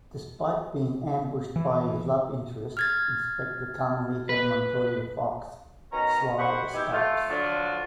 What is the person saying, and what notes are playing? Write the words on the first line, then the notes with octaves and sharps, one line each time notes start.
Despite being ambushed by his love interest, Inspector Carmelita Montoya Fox, Sly escapes.
E3
F6 G#6 A6
B4
B2 D#3 C#4 A#5
C3 D#3 C5 F#5 B5 C#6
B2 D#4 E4 G4 G5 G#5
A3 F4
D3 F3 F#3 D4 F4